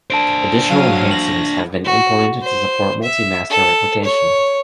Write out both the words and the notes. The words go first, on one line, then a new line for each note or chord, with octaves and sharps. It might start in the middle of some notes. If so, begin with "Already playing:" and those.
Additional enhancements have been implemented to support multi-master replication.
D4 C5 A5 D7
F#3 F5 D#7
A#6 F#7
F#4
C5
E5
A4
C#5